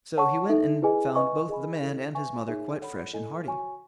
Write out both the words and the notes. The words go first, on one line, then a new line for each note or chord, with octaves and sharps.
So he went and found both the man and his mother quite fresh and hearty.
C#5 F#5 A5 C#6
D#4 A4 E5
E4 G#4 B4 D#5 G#5
B4 D#5 G#5 C#6
G#4 D#5 G#5 B5
E4 A4 D#5
B4 E5 G#5 C#6
D#4 G#4 C#5 E5 G#5
A4 C#5 F#5 B5
E4 A4 D#5 G#5
F#4 C#5 G#5 C#6